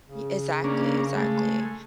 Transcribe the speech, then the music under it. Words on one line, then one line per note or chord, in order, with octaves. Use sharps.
Ye exactly, exactly,
C#3
A#3 C#4 D4
G#3 A3